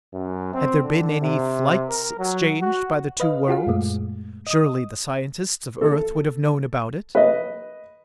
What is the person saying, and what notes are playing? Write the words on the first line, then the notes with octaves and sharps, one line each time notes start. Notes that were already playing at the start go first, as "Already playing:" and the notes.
Had there been any flights exchanged by the two worlds, surely the scientists of Earth would have known about it.
F#2
C4
D3
C3
A#4
F#3
F#4
B4 D#5 F5
F4 F#4 G#4 F5
F#2 A#2 G#3 A3
D#5 D#6
A4
B4 D#5